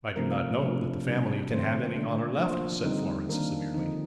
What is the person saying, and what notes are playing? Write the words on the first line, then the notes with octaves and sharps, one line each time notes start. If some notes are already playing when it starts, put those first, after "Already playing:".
"I do not know that the family can have any honor left," said Florence, severely.
C3 F3 A3 C4 A#4
F5
C3 F3 A3 D4
C3 G3 D4
D#3 A3 C4 C5
D3 A3 D4
F3 A#3 D4 C5
D3 G3 C4 D#4
D#3 A#3 D4 A#4
D3 F3 C4 D#4